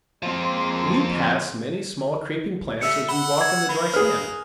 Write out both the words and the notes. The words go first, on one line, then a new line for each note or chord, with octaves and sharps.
We pass many small creeping plants as we walk in the dry sand.
F3 G#3 A#3 C4 C6
G3 A3 E5 E6 C#7
F#5 B5 E6 G7
G#6
A#3 B5
G#4 B4 F6